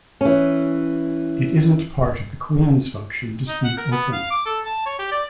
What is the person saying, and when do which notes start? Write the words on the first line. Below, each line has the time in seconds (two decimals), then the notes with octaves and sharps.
It isn't part of the Queen's function to speak openly.
0.21 E3 C#4
3.49 D#4
3.64 F#5
3.77 A#4
3.92 B3
4.13 F5
4.31 D6
4.46 A4
4.66 A5
4.86 C#5
4.99 G4
5.12 D5